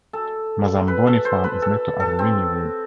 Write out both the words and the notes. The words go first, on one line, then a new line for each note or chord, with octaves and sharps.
Mazamboni Farm is next to Aruwimi Wood.
A4
B4
A4
C5
B4
A4
A4
C4